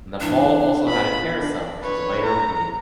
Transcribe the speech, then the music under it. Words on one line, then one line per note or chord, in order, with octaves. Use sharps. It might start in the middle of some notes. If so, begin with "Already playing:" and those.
The mall also had a carousel, which was later removed.
E3 D4 E4
B3 F4 B5
D4
B4 C#5
A#5